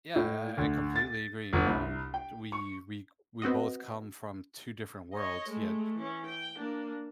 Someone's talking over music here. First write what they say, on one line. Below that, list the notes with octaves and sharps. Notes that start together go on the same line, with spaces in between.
yeah, I I completely agree, you know, t we've we c we both come from two different worlds, yet,
A2
D2
A6
G1
C2
G5
C#6
B3 C4 F#4 D#5
C#5 D#5
G#3 A3
E3 C#4
G5
A#3 D4